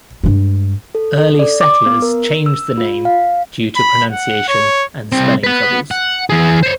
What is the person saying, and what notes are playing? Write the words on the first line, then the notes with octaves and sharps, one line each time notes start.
Early settlers changed the name due to pronunciation and spelling troubles.
G2 G#3
A4
A4
D5
D6
B3
A#4
E6
F4
F5
B5
F#5
C#5
C2 C4
B4 F#5
F#5
E3 G#4
C5 C#5